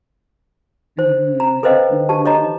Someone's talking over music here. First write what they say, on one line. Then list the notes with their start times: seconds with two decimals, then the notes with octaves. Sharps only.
Mhm, mhm.
0.99 C5
1.40 A#5
1.63 A4 B4 C5 D#5 F5 G5
2.09 G4 A5
2.25 A4 C#5 D#5 A#5